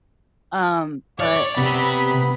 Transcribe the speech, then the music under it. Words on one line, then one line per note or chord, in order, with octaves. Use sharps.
um, but
C#5 D5
C3 B3 B5